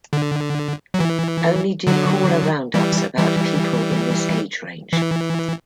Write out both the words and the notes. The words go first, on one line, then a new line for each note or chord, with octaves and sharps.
Only do caller round ups about people in this age range.
D3
F#3
E3
D3 F#3
E3 G3
E3 G3
E3